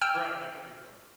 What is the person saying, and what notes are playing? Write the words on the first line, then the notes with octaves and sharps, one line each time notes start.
Right, yeah, it'll be fun.
G5 E6 F6